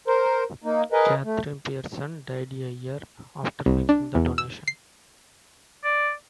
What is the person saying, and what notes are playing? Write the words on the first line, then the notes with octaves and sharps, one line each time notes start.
Catherine Pearson died a year after making the donation.
A#4 C5
A#3 D#4
G#4 A#4 B4 D#5
A3
C2
D4
E2
E6
C7
D5